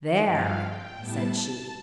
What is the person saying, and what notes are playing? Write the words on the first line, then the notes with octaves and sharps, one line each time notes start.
"There!" said she.
G2 F3 C4 F4 F5
G5
A2 G3 B3 E4 A5
A5